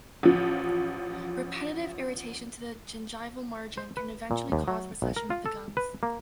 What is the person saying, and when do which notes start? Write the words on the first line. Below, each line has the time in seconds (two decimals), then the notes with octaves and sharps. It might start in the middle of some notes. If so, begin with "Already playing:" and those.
Repetitive irritation to the gingival margin can eventually cause recession of the gums.
0.23 A1 F3
3.78 C5
3.97 B4
4.31 A#2
4.52 D#2
4.68 F#3
5.02 B1
5.16 A#4
5.30 F4
5.46 A4
5.77 B4
6.03 A#3